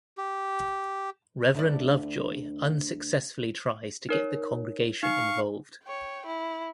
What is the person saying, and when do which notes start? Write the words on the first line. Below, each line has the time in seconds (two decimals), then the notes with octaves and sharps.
Reverend Lovejoy unsuccessfully tries to get the congregation involved.
0.17 G4
1.55 D2 E4 D5
4.09 D#4 A#4 C#5
5.03 D#4 F5 C#6
5.83 C#5 G5
6.26 E4